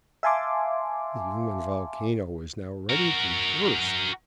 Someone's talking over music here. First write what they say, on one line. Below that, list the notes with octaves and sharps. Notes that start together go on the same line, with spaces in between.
The human volcano was now ready to burst.
E5 F5 G#5 A5 C6 D6
F#4 A#4